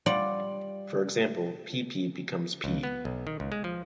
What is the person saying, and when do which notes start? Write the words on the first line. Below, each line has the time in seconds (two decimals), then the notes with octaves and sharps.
For example, "pee-pee" becomes "pee".
0.06 G3 F4 D5 F#5
2.64 C#2
2.83 B3
3.05 B1
3.27 D#3
3.40 C#2
3.52 G#3
3.64 F3